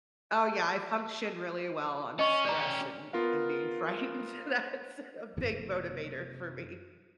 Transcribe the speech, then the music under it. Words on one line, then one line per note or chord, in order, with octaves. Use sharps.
Oh, yeah, I function really well on stress and and being frightened, that's a big motivator for me.
C#4 D#5 C#6
C#4 G4 D5 A#5
B3 F4 A#4 F5
F#1 C3